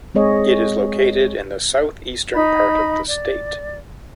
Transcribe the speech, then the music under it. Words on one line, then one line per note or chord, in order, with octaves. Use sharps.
It is located in the South Eastern part of the state.
G#3 C4 G#4 C#5 D#5
D#4 D#5 B5
D5